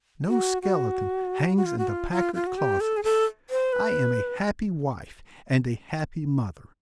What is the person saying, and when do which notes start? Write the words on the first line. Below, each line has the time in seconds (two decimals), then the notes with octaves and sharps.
No skeleton hangs in the Packard closet. I am a happy wife and a happy mother.
0.27 F#4
0.62 F#4
1.57 F#4
1.65 F4
1.78 F#4
1.88 F4
2.11 F4
2.34 F4
2.46 F#4
2.57 G4
2.80 A4
2.97 G#4
3.04 A4
3.50 C5
3.73 B4